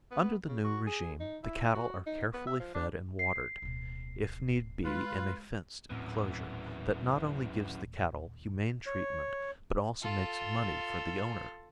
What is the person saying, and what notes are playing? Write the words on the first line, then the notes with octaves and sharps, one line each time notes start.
Under the new regime the cattle are carefully fed and watered, if need be in a fenced enclosure, that not only gives the cattle humane treatment but also makes money for the owner.
B3
C#3
F#4
G#4
D#4
E4
F#4
D#4
B3
E5
F3
D4
C7
D1 B2
G#3 F4 B4
D#1 F#2 A2 E3 C4
C#5
F4 A4